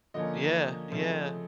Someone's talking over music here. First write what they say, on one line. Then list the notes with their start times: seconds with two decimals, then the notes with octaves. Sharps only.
Yeah, yeah.
0.14 D3 F3 A#3 C#4 D#5
0.91 C#3 F3 A3 C4